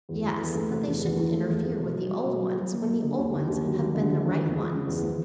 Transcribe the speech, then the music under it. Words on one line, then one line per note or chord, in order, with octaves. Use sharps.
"Yes; but they shouldn't interfere with the old ones when the old ones have been the right ones."
E2
E2
E2
A3
C3
E2
E2
E3
A3
E2
A3
B2
F#3
F#3
B2
F#3
F#3
A#3
A#3
D3
D#2
D3
D#2
F#3
D#2
D3
D3
F3
E2
G#3
C#3
E2
F3